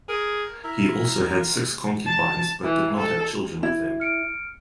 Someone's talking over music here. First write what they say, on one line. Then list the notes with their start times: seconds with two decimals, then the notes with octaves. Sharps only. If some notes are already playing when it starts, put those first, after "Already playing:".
He also had six concubines but did not have children with them.
0.09 G#4 A#4
0.64 E4 A#4
1.39 F4
2.06 A5
2.63 E3
2.98 A4
3.63 E4
4.00 F6 C#7 D7